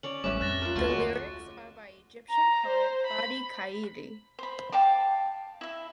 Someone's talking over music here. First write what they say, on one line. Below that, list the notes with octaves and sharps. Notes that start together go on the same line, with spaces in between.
The lyrics are by Egyptian poet Badi' Khairi.
C#4 C#5 D5 F#7
A1 G3 A3 C#4 B4 E5 D6
F2 F#6 A6 A#6
F4 A#4
D2 A3 F#5 A5 C6 C#6
F#3 G#3 C#6
A#5
C5
B5
C5 B5
F5 G5 A5 D6
E4 E5